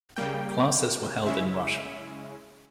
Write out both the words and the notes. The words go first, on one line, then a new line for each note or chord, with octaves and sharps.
Classes were held in Russian.
C#3 G3 A#3 G5
C#3 G#3 C#4 E4 E5